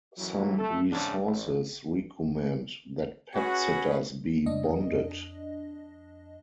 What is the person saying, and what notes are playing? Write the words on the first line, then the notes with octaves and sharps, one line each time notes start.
Some resources recommend that pet sitters be bonded.
B1 F#2 E3 F#3
A3 A4
E2 G#2 C#3 D4
A1
C#4 F#4 G#4 B4
F2 D4 D#5